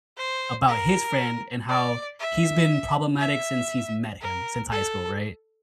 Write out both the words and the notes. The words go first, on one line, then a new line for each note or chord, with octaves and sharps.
about his friend and how he's been problematic since he's met him, since high school, right?
C5
A#4
D5
E5
E5
A#4
A4